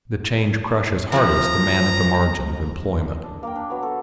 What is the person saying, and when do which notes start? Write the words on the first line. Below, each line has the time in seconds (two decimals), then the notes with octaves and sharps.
The change crushes hardest the man at the margin of employment.
1.12 A2 C3 F3 A#5
3.23 D4
3.43 A#3 A#4 G5
3.55 D4
3.69 F#3 B3 C#5
3.82 F#4 A4